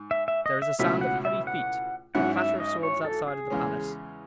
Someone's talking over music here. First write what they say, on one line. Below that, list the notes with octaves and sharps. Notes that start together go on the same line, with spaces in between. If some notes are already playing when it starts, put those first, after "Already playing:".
There is a sound of heavy feet, and the clatter of swords outside of the palace.
Already playing: G#2
E5
E5
D#5
E5
C#2 B2 A3 C#4 E4 E5
F#5
E5
F#5
G#1 G#2 F#3 C#4 E4 F#5
E5
D#5
C#5
A4
G#4
E2 C#3 G#3 C#4